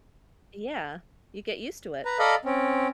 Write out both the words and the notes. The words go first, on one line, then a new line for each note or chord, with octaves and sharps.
Yeah. You get used to it.
B4 A#5
A4 D5 D#5 F5 A#5 B5
C4 C#4